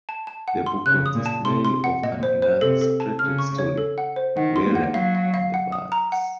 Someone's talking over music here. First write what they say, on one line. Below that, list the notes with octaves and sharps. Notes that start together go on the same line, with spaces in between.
The book consists mainly of an illustrated short story, "Lyra and the Birds".
A5
A5
F#5
C6
C#3 F#6
D#6
A#2
A5
C3 C6
C6
F#5
A#2 D#5
C5
C5
C3 A4
A4
A5
C#3 F6
C#6
C#5
A4
F#5
C5
D#3 F#5
C6
A#3
F#5
F#3 F5
F5
F5
F#5
D#6
A#5
F#5